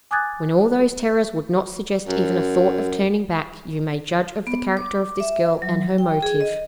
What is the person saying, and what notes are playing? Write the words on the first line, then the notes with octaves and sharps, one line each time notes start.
When all those terrors would not suggest even a thought of turning back, you may judge of the character of this girl and her motive.
G#5 D6 D#6 F#6 G#6 A6
F#2
B3
D6
E5
F#3
G5
G#4
D#5